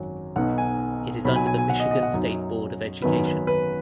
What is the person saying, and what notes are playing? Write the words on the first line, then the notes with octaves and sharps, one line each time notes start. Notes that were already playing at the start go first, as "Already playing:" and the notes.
It is under the Michigan State Board of Education.
Already playing: G#1 F#2 F#3
B1 B2 B3 D#4 F#5
G#5
B1 B2 F#3 B5
G#5
G#5
G#5
F#5
D#5
D#5
F#5
F#2 F#3 D#4
G#1 F#2 D#3 F#3 B3 B4
B4
B4